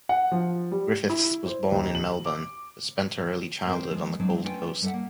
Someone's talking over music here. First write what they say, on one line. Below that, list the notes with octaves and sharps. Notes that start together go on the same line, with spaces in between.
Griffiths was born in Melbourne, but spent her early childhood on the Gold Coast.
F#5
F3
G3
E4
C5
D#2
F#7
D6
C4 A#4 C5
F3 G#3
F#3 G#3 C4 D4
A3 C#4 F4 B4 D5 G5
G3 A4 D5 E5 F#5
A#3